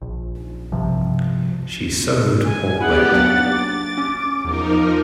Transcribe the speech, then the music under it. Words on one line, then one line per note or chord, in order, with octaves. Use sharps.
She sewed or read.
A#1
C2 G2 C3 F3
G#5
B3 E4 G4 G#4 D5 F#5
F#3 A#3 D4 A6
D6
C#4
E2 F3 D#4 A#4